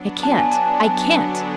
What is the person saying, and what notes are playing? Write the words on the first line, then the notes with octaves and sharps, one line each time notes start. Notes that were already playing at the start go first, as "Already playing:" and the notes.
I can't--I can't!
Already playing: F#3 B3 D4
A5
G#5
A5
A5
D3 F#3 B3 D4